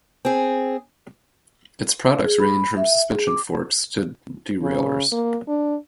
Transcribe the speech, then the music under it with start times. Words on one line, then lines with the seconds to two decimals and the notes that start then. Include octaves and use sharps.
Its products range from suspension forks to derailleurs.
0.25 C4 G#4
2.24 G#4
2.40 B5
2.77 E5
3.10 G#4
3.27 D6
4.62 C#3
5.12 A#3
5.48 D4